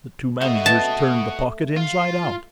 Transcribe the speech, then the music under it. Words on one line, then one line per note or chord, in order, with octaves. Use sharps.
The two managers turned the pocket inside out.
A3 F#4 D#5
A5
F4